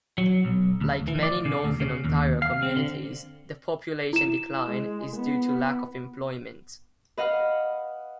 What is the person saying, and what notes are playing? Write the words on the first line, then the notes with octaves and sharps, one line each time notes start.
Like many northern Ontario communities, the population decline is due to lack of employment.
F#3
B1
D2
E3
D5
C#3
D2
C#3
D#2
F5
C4
D3
E4 E7
G#3
B3
B4 D#5 F5 F#5 F6